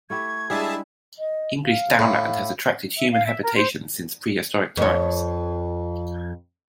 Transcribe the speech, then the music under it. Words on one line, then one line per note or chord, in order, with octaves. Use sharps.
English downland has attracted human habitation since prehistoric times.
A3 E4 G4 C#6 G#6
G3 G#3 D4 E4 G#4 E5 A5
D#5
F5
A2
E5
F5
E5
A#4
C5
F2 C#5